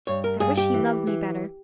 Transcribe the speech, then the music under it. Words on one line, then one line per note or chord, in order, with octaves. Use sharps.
"I wish he loved me better."
G2 C#5
A#4
G2 G#4
G4
E3
E3